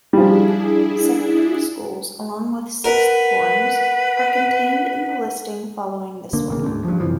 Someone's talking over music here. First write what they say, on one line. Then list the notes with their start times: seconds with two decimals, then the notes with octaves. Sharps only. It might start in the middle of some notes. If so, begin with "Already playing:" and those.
Secondary schools, along with sixth forms, are contained in the listing following this one.
0.13 F3 G3 D4 E4 G#4
2.84 A#4 B4 F#5
6.33 D3 A#3
6.50 A1 C#3 A#3
6.64 D2 G#2
6.85 G2 F3
7.00 F#2 C3 E3 F3